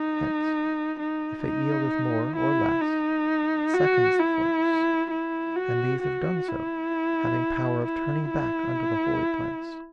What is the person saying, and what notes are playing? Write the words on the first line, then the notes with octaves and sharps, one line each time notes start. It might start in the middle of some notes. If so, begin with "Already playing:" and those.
Hence, if it yieldeth more or less, it seconds The force; and these have done so, having power Of turning back unto the holy place.
Already playing: D#4
D#4
D#4
E4
D#4
F#4
E4
E4
F#4
F#4
E4
E4
E4